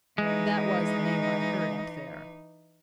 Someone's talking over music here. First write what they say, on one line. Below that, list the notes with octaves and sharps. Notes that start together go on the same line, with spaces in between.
That was the name I heard up there.
E3 G#3 D#4